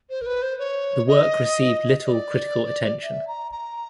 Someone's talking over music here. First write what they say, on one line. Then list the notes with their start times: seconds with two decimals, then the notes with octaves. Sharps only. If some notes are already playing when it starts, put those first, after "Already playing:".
The work received little critical attention.
0.10 C5
0.21 A#4
0.26 B4
0.42 C5
0.59 C#5
1.07 D#5
2.05 D5
3.03 E5
3.28 A#5
3.52 A#5